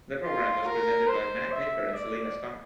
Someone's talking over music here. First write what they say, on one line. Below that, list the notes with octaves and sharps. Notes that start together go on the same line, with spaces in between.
The programme was presented by Matt Baker and Selina Scott.
F4
A#4
C5
E5
D5